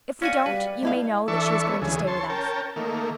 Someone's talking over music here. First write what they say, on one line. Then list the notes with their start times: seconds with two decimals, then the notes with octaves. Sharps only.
If we don't you may know that she is going to stay with us.
0.22 C#4 F#4 D5 F5 G#5
0.46 G3 B4
0.83 A3 E4 D#5 F5
1.28 E3 D4 A4 E5 C#6
1.66 A3 B3 C#5
1.82 D2 C#3 E3 G#4
2.07 C#5 A5 C6
2.29 C#4 A#4 G5 A5
2.76 D#3 A3 A#3